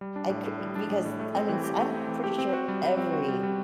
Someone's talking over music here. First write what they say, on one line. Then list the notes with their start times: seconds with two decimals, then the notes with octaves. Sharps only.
I c because, t I mean, s I'm pretty sure every
0.01 G3
0.16 D4
0.30 A2
0.45 A2
0.61 G3
0.75 D4
0.90 A2
1.05 A2
1.19 A3
1.35 C4
1.49 E3
1.63 G4
1.79 A3
1.94 C4
2.08 E3
2.24 G4
2.38 C4
2.53 F#4
2.68 G3
2.83 G3
2.97 C4
3.13 F#4
3.28 G3
3.43 G3